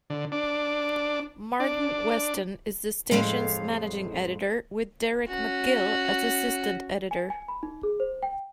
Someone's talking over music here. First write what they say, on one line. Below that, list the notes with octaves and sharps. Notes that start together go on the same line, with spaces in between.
Martyn Weston is the station's managing editor with Derek McGill as assistant editor.
D3
D4
D4
F2 A2 G#3 F5
C#4 F#4
G#5
G#5
B5
D#4
G#4
C5
G5